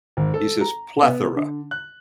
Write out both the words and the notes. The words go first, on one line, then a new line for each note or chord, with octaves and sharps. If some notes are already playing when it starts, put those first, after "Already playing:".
He says "Plethora."
G#1
A4
A#5
B3
D3
F#6